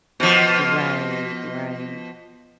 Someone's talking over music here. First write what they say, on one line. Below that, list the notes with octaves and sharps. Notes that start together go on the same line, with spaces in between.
Right, right.
B2 F3